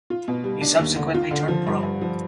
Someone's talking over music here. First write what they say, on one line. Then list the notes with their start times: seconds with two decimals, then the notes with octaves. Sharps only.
He subsequently turned pro.
0.10 F4
0.28 B2
0.44 G3
0.61 D4
0.79 D#2
0.96 D3
1.14 F4
1.31 D3
1.48 F3
1.67 G2
1.83 G2
2.01 F3